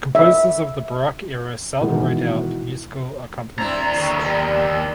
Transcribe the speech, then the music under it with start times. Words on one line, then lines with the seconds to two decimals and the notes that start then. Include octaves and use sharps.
Composers of the Baroque era seldom wrote out musical accompaniments.
0.15 E5
1.80 B2 D#3 E3 G#3 B3
3.59 D#2 C4 D4 E4 A#5
3.94 A2 D3
4.19 G3 A#4 D5